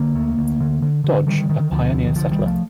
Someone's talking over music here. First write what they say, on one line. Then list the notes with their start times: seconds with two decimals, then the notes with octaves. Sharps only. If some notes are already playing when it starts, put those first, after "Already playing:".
Dodge, a pioneer settler.
Already playing: D3 A#3
0.15 D2
0.38 D2
0.60 D3
0.82 D3
1.04 D3
1.27 D3 D#3 G3
1.49 D3 D#3
1.72 D2 D3 F3
1.94 D2
2.07 D#3
2.16 C2 D3 F3
2.31 D#3 G3
2.39 C2
2.46 F3 A3